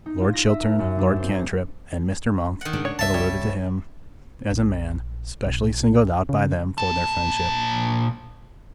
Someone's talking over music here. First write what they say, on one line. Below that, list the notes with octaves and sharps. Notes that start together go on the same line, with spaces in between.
Lord Chiltern, Lord Cantrip, and Mr. Monk had alluded to him as a man specially singled out by them for their friendship.
D#4
F4
A#6
E5
A#4
F#2
D4
C5
D#3 F#5
G#2 C#3 G#3 D4
C#5
C2 E5 A5
G3 C#5
A#1
B1
C#3
A#2 A5